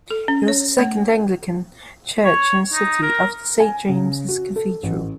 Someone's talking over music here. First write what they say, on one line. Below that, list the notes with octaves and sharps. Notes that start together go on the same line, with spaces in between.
It was the second Anglican church in the city, after Saint James' Cathedral.
A4
C#4
C#5
A3
C#5
D#4
A#4
G#5
C#3
F#4
A4
A1